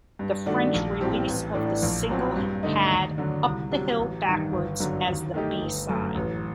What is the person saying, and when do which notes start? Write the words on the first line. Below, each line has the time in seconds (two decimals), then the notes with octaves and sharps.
The French release of the single had "Up the Hill Backwards" as the B-side.
0.19 G2
0.46 D#3 A3 D4 F#4
0.74 A#1
1.01 A2 G3 C4 G4
1.28 A1
1.54 A2 A3 D4
1.82 A#1
2.09 A#2 F#3 C4 F#4
2.36 G2
2.63 D3 A3 D#4
2.90 D#2
3.18 D3 F#3
3.45 C2
3.71 C3 F#3
3.99 A1
4.26 G2 D#3
4.53 G1
4.80 F#2 D3 F#3
5.07 D#2
5.34 D#3 A3 D#4 G4
5.61 G1
5.89 F#2 F#3 A3
6.15 A1